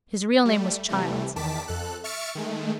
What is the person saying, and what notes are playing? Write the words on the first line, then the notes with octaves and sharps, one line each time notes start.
His real name was Childs.
G3 A3
C3 E3 G3 A3
E2 D#3 A5 D6 B6
F2 A4 F#6
E5 C#6 F6 A6 C#7 D7
D#3 G#3 A3